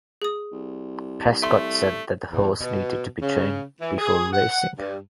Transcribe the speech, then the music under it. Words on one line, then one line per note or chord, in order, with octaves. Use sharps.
Prescott said that the horse needed to be trained before racing.
G#4 D#6
C2
A3 E5 C6
E2
B2
C#3
E3
G#4
F#5
G2